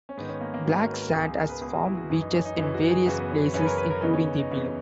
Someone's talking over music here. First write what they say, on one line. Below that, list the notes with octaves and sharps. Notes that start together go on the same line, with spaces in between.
Black sand has formed beaches in various places, including the below.
C#4
G#2 D#3 B3
C#4
A#3
A#3
G#2 D#3 F#4
A#4
B4
A#4
C#2 B2 G#4
G#4
A#4
B4
C#2 B2 G#4
F#4
E4
F#4
F#2 E3 G#4
D#4
C#4
D#4
F#2 E3 E4
F#4
G#4
F#2 C#3 E3 F#4
B3
C#4
B3
F#2 C#3 E3 C#4
B4
A#4
B4
A#4
E2 C#3 E3 D#4
C#4
D#4
E2 C#3 E3